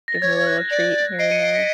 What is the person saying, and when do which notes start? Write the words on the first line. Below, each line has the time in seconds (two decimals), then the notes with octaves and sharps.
Give him a little treat here and there.
0.08 A#6
0.15 A6
0.21 C#5 G#6
0.47 F#6
0.58 G#6
0.70 D5
1.19 D#5 C7 D7
1.31 C#7 D#7
1.43 C7 D7
1.55 B6 C#7